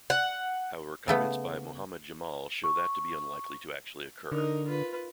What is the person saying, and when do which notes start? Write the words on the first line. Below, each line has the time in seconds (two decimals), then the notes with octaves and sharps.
However comments by Mohammed Jamal show that to be unlikely to actually occur.
0.10 F#5
1.08 C#3 A3 B3
2.64 C#6
4.32 D3 D#4 A#4
4.68 F4 B4